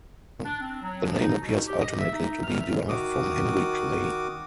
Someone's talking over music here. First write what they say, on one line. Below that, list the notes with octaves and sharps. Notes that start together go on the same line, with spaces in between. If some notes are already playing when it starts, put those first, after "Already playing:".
The name appears ultimately to be derived from Henry Clay.
D4
C4
F#3
F3
D#4
B2
G4
D#5
E5
D#4
F6
E5
D#3 F#4 D6 D#6